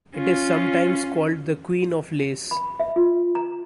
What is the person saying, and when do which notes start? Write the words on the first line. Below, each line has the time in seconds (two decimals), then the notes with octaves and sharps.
It is sometimes called the Queen of lace.
0.17 C#4 F4
2.51 B5
2.80 E5
2.96 F4
3.35 A#5